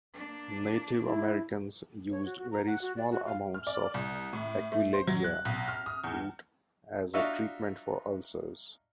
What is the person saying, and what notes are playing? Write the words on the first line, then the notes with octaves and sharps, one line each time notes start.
Native Americans used very small amounts of "Aquilegia" root as a treatment for ulcers.
A#3 D4
E4
C#5
F#4
F#4
A#5
F#5
F#4
D5
F#4
F5
F6
D5
C2
A2
A3
C5
F#3
F#6
B1
F6
D#6
E2
D4 D#4 F4 F#4 E5 C#6